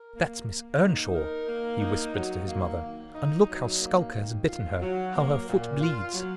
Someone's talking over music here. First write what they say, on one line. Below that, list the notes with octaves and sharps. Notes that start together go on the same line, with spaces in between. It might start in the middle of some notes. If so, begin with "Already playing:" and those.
"That's Miss Earnshaw?" he whispered to his mother, "and look how Skulker has bitten her--how her foot bleeds!"
Already playing: A#4
A#3
A#3
D#4
A#4
A#3
D#4
F#3
A#3
D#3
D#4
F#3
A#3
D#3
F4
F#3
A#3
A#2
F4
F#3